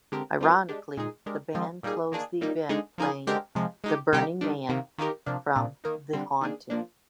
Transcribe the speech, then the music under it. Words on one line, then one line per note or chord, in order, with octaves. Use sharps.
Ironically the band closed the event playing "The Burning Man" from "The Haunting".
D3 G#3 C4 G4 A#4
G3 C4 F4 A#4
G#3 D4 G4
A#2 G#3 D#4 G#4
G#3 D4 G4 A#4
F3 G#3 C4 F4
A#2 G3 A#3 D#4 G#4
D#3 A#3 D4 G#4
A#2 G3 A#3 D#4
D3 G#3 D#4 G#4
F3 A#3 D#4 G#4
D3 G#3 C4 G4 A#4
C3 F3 G#3
G#3 D#4 G4
C3 G3 A#3 D#4 G4
D#3 G3 D4
C3 D#3 A#3
D#3 A#3 D#4 G4 A#4
C3 F3 A#3 D4
A#2 F3 A#3 D4 F4
D#3 A#3 D#4 A#4
D3 G3 C4
D#3 A#3 D4 G#4
F3 A#3 D4